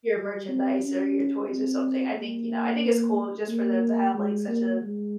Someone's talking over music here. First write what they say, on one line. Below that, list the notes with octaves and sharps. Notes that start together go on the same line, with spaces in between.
your merchandise or your toys or something, I think you know, I think it's cool just for them to have, like, such a
G3
C4
C#4
C4
A#3
A#3
G#3
A#3
G#3